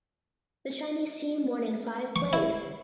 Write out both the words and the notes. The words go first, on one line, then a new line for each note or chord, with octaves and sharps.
The Chinese team won in five plays.
C#6
E4